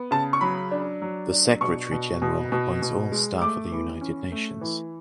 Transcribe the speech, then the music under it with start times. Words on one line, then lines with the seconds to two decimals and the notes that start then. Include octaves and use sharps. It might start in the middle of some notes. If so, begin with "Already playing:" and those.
The secretary-general appoints all staff at the United Nations.
Already playing: B3
0.11 C#3 A5
0.33 C#6
0.41 F#3 B5
0.71 D4
1.02 F#3
1.32 D4
1.61 B2 C#6
1.92 B2
2.22 B2
2.52 B2
2.82 B2
3.12 G#3
3.41 A3 D6
3.72 E3
4.01 C#4
4.32 A3
4.61 E3